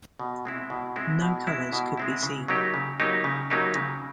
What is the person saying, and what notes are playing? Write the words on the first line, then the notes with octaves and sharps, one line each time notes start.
No colors could be seen.
B2
G#3 C4 E4
B2
G#3 C4 E4
B2
G#3 C4 E4
B2
G#3 C4 E4
C#3
F#3 A#3 D#4 G4
C#3
F#3 A#3 D#4 G4
C#3
F#3 A#3 D#4 G4
C#3